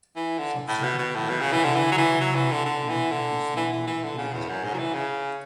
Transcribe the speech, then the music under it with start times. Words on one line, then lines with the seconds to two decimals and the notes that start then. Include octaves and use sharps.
Subsequently, additional human agents belonging to the same group were discovered.
0.16 E3
0.38 D3
0.68 A2
0.83 B2
0.98 B2
1.15 A2
1.29 B2
1.40 C#3
1.52 E3
1.64 D3
1.75 E3
1.92 F#3
1.98 E3
2.21 F#3
2.35 E3
2.51 D3
2.66 D3
2.89 E3
3.11 D3
3.57 E3
3.73 E3
3.87 E3
4.03 D3
4.18 C#3
4.33 E2
4.49 F#2
4.64 G#2
4.74 F#3
4.79 E3
4.94 C#3